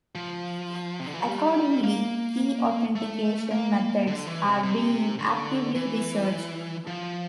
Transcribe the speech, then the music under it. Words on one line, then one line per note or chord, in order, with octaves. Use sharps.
Accordingly, key authentication methods are being actively researched.
F3
C3
D3
E3
F3
G3
A#3
A3
A#3
D3
E3
C3
C3
D3
E3
F3